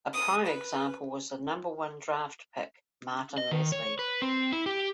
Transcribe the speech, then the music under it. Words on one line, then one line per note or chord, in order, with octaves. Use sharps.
A prime example was the number one draft pick, Martin Leslie.
D#6
B4
D#5
D#3
C#5
B4
C4
E4
G4